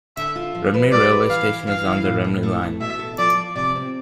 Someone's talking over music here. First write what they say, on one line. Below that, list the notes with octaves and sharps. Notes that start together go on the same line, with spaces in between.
Rhymney railway station is on the Rhymney Line.
D3 E5
F4
F3
B4
G3 D5
B4
E3 F5
E3
E3 F5
E3
A2
A2
A3
A3
B2 E5
A4
F3 D5
F3
C3 D5
C4